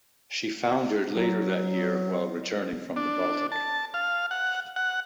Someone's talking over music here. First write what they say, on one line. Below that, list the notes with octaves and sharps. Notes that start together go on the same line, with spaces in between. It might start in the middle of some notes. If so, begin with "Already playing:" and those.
She foundered later that year while returning from the Baltic.
F#3
D4
A5
F5
F#5
F#5